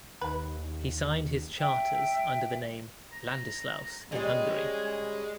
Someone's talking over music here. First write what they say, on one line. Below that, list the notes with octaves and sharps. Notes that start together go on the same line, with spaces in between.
He signed his charters under the name Ladislaus in Hungary.
D#2 B4
E5 G5
A#5
G3 G#3 C#4 G#4 D#5 G#5